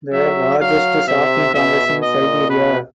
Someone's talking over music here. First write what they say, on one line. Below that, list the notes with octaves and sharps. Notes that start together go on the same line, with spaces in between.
The largest shopping complex in Siberia.
F#3 E5
F#3 F5
C3 E5
B2 E5
B2
D#5
A#2
B2 B4